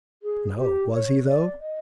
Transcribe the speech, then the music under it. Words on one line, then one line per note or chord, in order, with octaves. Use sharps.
"No was he, though?"
G#4
G4
C#5
D5
D#5